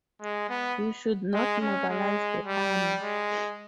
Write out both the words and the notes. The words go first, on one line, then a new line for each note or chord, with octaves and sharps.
You should not mobilise the army.
G#3
B3
G#3
C#4
G#3
G3
G#3